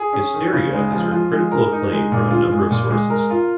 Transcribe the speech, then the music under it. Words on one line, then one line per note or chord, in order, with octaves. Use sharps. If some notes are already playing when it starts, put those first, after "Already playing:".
"Hysteria" has earned critical acclaim from a number of sources.
Already playing: G#4
C#4
D#3
C#3
G#3
F3
F4
G#3
A#4
D#4
G#3
A#2
F4
G#3
A#2
G#3
A#4
F4